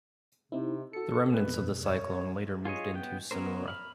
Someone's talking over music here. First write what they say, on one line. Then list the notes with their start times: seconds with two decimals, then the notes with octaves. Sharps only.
The remnants of the cyclone later moved into Sonora.
0.52 C3 C4 D#4 E4
0.93 F#4 A4 C#7
1.33 G#3 B4
1.47 F2 B2
1.84 C#5
2.65 F4 G#4 C#5 D#5
2.94 B3 G5
3.31 F#3 B3 C#4 A#4 C5
3.68 B5 F6